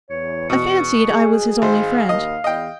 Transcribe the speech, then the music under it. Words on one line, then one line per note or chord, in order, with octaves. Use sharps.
I fancied I was his only friend.
E2 C#5
B2 C#6
G#4
G#1 C5 F5
D#2 D#5
E2 D#5 G5